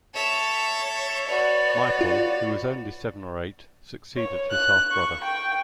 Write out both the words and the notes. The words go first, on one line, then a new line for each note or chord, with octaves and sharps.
Michael, who was only seven or eight, succeeded his half-brother.
A4 C#5 E5
F#4 B4 D5
F4
C#5
F#6
C#6
G5